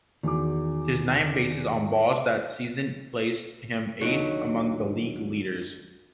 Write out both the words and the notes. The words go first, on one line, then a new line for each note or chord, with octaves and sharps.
His nine bases on balls that season placed him eighth among the league leaders.
E2 D#3 F#4 D6
D#2 D3 F#3 B3 D#4